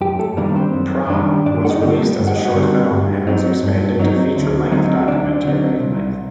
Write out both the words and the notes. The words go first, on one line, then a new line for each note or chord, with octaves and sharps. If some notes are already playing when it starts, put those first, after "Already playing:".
"Prom" was released as a short film and was expanded to feature-length documentary length.
F#2 G4
A3 A4
D#3 G3 A#3 D4 A#4
C4 C5
F#2
D#3 G3 D4
G2 D4 D5
F#5
D#4 D#5
D3 G3 C4 D#4
A3 A4
G2
F#5
D#5
F#4 F#5
D3 G3 C4 D#4
G2
F#3 C4 D#4
G2
F#3 C4 D#4
D2
D3 F#3 C4 D#4
D2 D4 D5
D3 F#3 C4 D#4
C2